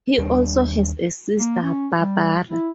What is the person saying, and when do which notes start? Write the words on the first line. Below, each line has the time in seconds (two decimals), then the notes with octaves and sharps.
He also has a sister, Barbara.
0.19 D#2 G3 D4
1.40 A#3
1.63 C#4
1.97 G3
2.50 E4